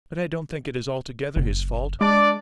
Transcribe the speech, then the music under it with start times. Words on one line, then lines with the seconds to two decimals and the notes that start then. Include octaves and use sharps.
But I don't think it is altogether his fault.
1.36 F#1
2.01 G#3 D4 D5